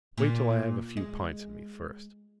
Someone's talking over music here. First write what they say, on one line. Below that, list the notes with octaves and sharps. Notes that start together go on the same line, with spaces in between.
Wait till I have a few pints in me first.
A#2
G#3